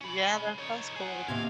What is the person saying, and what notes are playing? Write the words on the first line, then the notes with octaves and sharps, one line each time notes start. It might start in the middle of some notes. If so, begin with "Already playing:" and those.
Yeah, that sounds cool.
C#4 B5
D#4 C#5
G#4 F#5
D#2 C3 F5 G#5